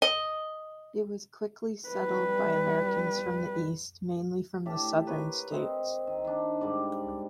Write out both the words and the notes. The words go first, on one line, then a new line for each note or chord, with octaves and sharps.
It was quickly settled by Americans from the east, mainly from the Southern states.
D#5
G3 B4
A2 G4 D5 A5
A#4 B4 C#5
C4 D#5
D#3
D#3 D4
G#2 G3 D5